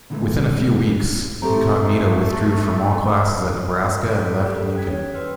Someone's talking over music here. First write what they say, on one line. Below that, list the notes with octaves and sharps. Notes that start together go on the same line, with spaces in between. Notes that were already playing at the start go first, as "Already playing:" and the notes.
Within a few weeks, Incognito withdrew from all classes at Nebraska and left Lincoln.
A#2 D3 E3 G#3 A3 B3
A3 C4 G4 A4 A#5
A4
G4 A4 A#4
C#4 G5 G#6 B6
C#5
B4 G5 C6 E6 F6